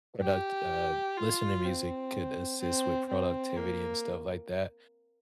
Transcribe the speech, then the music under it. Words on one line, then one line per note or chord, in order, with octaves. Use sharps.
product uh, listen to music could assist with productivity and stuff like that,
G4
F4
C4
C4
C4
A#3